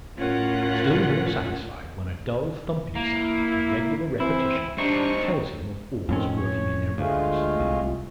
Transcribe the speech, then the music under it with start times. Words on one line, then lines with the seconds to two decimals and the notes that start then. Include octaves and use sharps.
Still more satisfied, when a dull thumping sound, in regular repetition, tells him of oars working in their rowlocks.
0.18 A2 C#4 F4 A#4 F#5 F#6
2.95 A#3 E4
4.20 E3 C4 E4
4.78 G3 C4 D4 D#4 C#6
6.09 F2 A2 D#3 C4 C#4
6.36 C#5
6.98 D2 G#3 A3 F4
7.60 C2